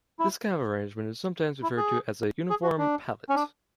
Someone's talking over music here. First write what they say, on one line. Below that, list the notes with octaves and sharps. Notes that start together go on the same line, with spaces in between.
This kind of arrangement is sometimes referred as a "uniform palette".
E4
E4
G#4
G#4
F#4
D4
C#4
D4